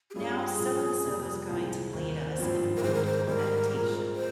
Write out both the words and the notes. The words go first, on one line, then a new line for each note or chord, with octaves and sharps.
Now so-and-so is going to lead us in a mindful meditation."
G4
G2 G3 C#4 F4 G#4
A#2 F3 A#3 C#4
F2 C3 G3 A#3
C2 A#2 G#3 C4
D#2 D#3 A#3 C5
G#1 G2 F3 C4
A#4
G#2 D#3 G#3 C5
A#4
C5
G#1 G#2 G3 A#4
A#2 G#3 C4
C5